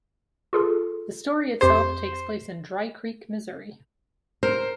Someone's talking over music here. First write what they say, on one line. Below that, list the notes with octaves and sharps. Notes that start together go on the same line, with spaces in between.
The story itself takes place in Dry Creek, Missouri.
F4 G#4 A4
F2 G4 C5 G6
A#4 C5